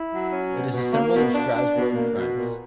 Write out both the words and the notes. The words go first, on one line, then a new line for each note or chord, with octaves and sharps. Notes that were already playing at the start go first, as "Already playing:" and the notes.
It is assembled in Strasbourg, France.
Already playing: E4
F#3
C#4
B2
B2
A#3
B2
D4
D4
B2
A#3
B2
A#2